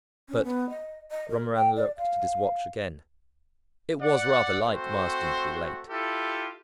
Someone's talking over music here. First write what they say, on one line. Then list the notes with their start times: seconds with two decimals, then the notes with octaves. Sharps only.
But--Romarin looked at his watch again--it was rather like Marsden to be late.
0.29 C#4
0.44 B3
0.70 D#5
1.11 D#5
1.29 A#4
1.56 G5
1.76 D5
1.97 F5
4.01 D5 F#5
4.66 A3 C4 F#4 C5
5.88 E4 F4 G4 A4